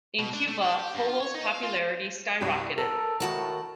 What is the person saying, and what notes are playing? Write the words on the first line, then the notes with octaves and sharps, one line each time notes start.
In Cuba, Polo's popularity skyrocketed.
B2
D4
A3
D4
G4
G2
F4
C#5
D#4
F5
F4
C2 G2 G4
A4 A#4
A2 D#3 F#4 A5